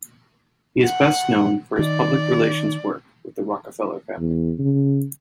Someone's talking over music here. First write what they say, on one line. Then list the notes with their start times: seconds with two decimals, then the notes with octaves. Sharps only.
He is best known for his public relations work with the Rockefeller family.
0.84 F#5
1.79 D#3 D5
4.18 E2
4.59 C#3